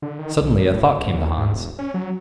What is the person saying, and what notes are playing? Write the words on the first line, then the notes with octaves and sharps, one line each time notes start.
Suddenly a thought came to Hans.
D3
D#3
B1
F#2
A2
C#2
D#2
G#2
E1
C#4
F#3